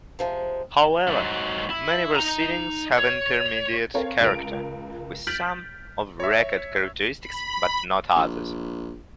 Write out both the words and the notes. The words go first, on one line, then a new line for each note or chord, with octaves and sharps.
However, many proceedings have intermediate character, with some "of record" characteristics but not others.
C3 F3 G#3
G#2 F#3
E4
D#4 A#5
C#5
C4 A4 A#4 C#5 F5
C#2 F4 A#4 D7 F7
F6 G6 A6 B6 D7 F#7
C#5 E5
B5
A#1